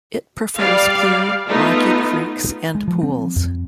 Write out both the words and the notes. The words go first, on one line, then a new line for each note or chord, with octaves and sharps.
It prefers clear, rocky creeks and pools.
G3 D5 F5
A3 B3 D#4 F4
G#3
F3
C4
F2